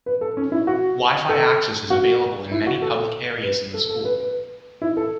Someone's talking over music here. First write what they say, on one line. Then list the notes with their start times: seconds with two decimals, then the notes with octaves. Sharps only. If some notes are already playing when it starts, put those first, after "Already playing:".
Wi-fi access is available in many public areas in the school.
0.06 B4
0.21 A4
0.37 C#4
0.52 E4
0.67 F#4
1.29 A4
1.90 F#4
2.51 E4
2.67 F#4
2.82 A4
3.43 B4
3.74 A4
3.89 A4
4.05 B4
4.20 B4
4.82 E4
4.97 A4